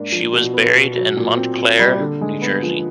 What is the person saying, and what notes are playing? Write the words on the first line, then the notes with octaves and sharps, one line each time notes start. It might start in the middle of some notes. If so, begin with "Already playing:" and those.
She was buried in Montclair, New Jersey.
Already playing: G#2 A#3 D4
F3
B2
B3
B2
F#3
A#2
C4
A#2
G3
D3
G#3
B3
F3